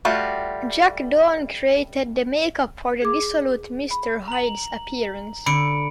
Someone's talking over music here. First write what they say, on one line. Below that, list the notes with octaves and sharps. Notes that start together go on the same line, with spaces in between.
Jack Dawn created the make-up for the dissolute Mr. Hyde's appearance.
G3 A3 F4 F#4
G#4 D6
B5
A#5 F#7
D3 B5 C#7 D7